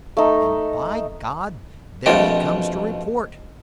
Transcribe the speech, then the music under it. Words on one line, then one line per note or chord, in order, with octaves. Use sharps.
"And by God, there he comes to report!"
A3 D#4
A#1 F2 B2 A3 A4 G5